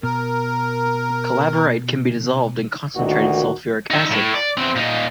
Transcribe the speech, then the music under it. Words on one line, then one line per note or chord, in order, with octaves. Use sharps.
Calaverite can be dissolved in concentrated sulfuric acid.
B2 A#4
D2 A#2 D#3 F#4
D#4 E5
A2
D5
E2 C4
A#2 D#4